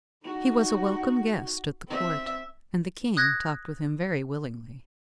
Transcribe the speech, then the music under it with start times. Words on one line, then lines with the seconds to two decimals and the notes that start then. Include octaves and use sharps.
He was a welcome guest at the Court, and the King talked with him very willingly.
0.23 D#4 F#4
1.88 C4 E5
3.17 D#6 F#6 G#6 A#6